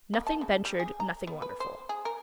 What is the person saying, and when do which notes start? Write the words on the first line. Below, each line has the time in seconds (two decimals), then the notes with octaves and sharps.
Nothing ventured nothing wonderful.
0.14 A#3
0.27 A5
0.41 C#3
0.65 G3
0.80 G#4
1.00 A#5
1.27 B3
1.42 B4
1.60 C5
1.89 G#4
2.05 A#4